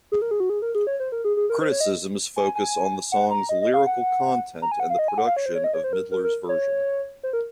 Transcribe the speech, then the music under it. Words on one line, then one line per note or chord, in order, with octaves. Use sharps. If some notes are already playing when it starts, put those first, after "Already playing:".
Criticisms focus on the song's lyrical content and the production of Midler's version.
G#4
A#4
G#4
F#4
G#4
A#4
G#4
C#5
C5
A#4
G#4
G#4
A#4
C5
C#5
D#5
G#5
G#5
F#5
A#5
D#5
D#5
F5
F#5
A#5
G#5
F#5
F5
D#5
G#5
F#5
F5
C#5
C5
C#5
D#5
C#5
C5
A#4
A#4
A#4
C#5
C5
A#4